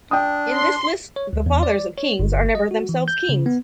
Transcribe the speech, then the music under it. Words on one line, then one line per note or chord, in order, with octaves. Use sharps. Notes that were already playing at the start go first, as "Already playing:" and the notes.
In this list the fathers of kings are never themselves kings.
D4 G5 D#6
C6
C#5
D2
E2
D5
C#5
G1
D#5
F#4
E3
G6
C#3
B3